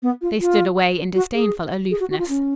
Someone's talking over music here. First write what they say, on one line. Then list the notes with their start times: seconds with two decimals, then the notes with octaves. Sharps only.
They stood away in disdainful aloofness.
0.02 B3
0.21 F4
0.40 F4
1.15 F#4
1.34 G#4
1.91 G#4
2.00 F#4
2.10 F#4
2.19 F4
2.28 C#4